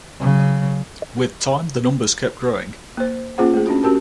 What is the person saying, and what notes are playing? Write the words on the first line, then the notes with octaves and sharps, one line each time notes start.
With time the numbers kept growing.
C#3 F#3
A#3 C5
A#3 C#4 F4 G#4 C5 F#5
A3 G#4
C#4 D4 F#4
C#4 F#4 G4 A#4 A5